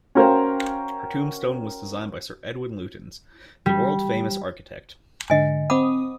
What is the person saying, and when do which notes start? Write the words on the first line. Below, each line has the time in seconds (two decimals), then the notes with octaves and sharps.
Her tombstone was designed by Sir Edwin Lutyens, the world-famous architect.
0.15 C#4 F#4 A#4 C5 F5 G5
3.66 G3
5.30 G#2 D3 D#5 G#5
5.70 C4 F#5 B5 D6 D#6